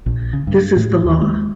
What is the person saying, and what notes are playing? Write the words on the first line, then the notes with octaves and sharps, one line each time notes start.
This is the law.
A#1
C#3
G2
A2
D#2
G#3